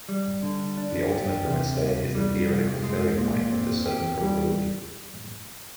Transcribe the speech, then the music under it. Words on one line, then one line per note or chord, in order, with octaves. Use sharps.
The ultimate limit state is the theoretical failure point with a certain probability.
G3
D3
D4
G4
C3
C2
G3
C2
G#3
A#2
C4
G4
G3